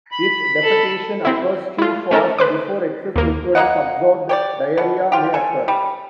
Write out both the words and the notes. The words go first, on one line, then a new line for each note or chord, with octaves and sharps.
If defecation occurs too fast, before excess liquid is absorbed, diarrhea may occur.
B5
A4
C4 E4
E4 F4
A3 C#4 A4 A#4
B4 C5 D6
D#2 A#3
A#3 D4 D#5 F#5
G4 C#5 D5
B2
F4 G4
A4 G#5
G3